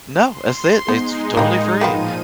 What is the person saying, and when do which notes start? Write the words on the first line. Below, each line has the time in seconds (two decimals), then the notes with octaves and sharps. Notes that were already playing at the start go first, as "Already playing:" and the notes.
No, that's it, it's totally free,
0.25 C6
0.88 G#3 B3 D#4 C5
1.37 A2 G3 A#3
1.81 A#2 D#3 F3 B3 F4 D#7